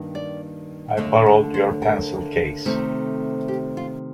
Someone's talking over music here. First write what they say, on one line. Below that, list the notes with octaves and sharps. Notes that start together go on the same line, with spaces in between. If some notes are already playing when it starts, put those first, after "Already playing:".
I borrowed your pencil case.
Already playing: G2 D#3 A#3
D5
D#2 D3 A3 D#5
D#5
C5
A#4
C3 D#3 A3 C4
G4
F4